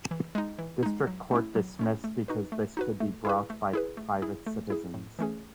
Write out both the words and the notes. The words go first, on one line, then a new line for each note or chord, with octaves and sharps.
District court dismissed because this could be brought by private citizens.
E3
G#3 D#4
E3
G#3 D#4
F#3
A3 C#4 E4
F#3
A3 C#4 E4
A3
D#4 F#4 B4
A3
D#4 F#4 B4
A3
E4 G#4 B4
A3
E4 G#4 B4
A3
E4 G#4
A3
E4 G#4
A2
E3 A3 C#4 G#4